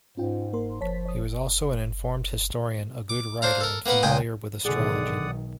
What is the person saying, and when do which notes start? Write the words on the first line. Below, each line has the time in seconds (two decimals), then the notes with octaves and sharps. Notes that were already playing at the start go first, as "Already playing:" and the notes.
He was also an informed historian, a good writer and familiar with astrology.
0.17 G#2 C#4 F4 G5
0.53 A#3 A#4 C6
0.81 F3 C#5 A5 B6
1.05 C#5 D#6
3.09 D6
3.42 D4 C5 F5 A#5
3.61 A4 A#4
3.86 A#3 B3 A#4 B4 F#5
4.03 C#2 A#2 G5 G#5 D#6
4.65 B1 D3 D#3 G#4 D5 F#5 D#6